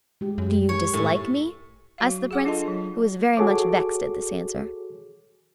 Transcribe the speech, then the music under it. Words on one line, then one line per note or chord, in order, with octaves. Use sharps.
"Do you dislike me?" asked the Prince, who was very much vexed at this answer.
G#3 G4
F#2
C#5
A2
F#3 F#4 F5
G#4 F#5 D6
D4 F4 A4 D#5 A5 C6
F#3
F#4 G#4 A4 C#5 D6